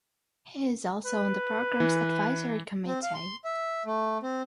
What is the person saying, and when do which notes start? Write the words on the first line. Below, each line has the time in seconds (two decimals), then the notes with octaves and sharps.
He is also on the program's Advisory Committee.
1.05 B4
1.80 E3
2.87 C4
3.03 F5
3.14 C6
3.44 E5
3.86 A3
4.23 C4